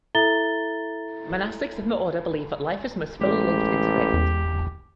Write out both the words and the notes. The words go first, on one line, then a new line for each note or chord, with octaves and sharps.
Monastics in the Order believe that life is most fully lived integrated.
E4 A4 E5 A#5 A6 G7
A1 G#3 G4 D5
E2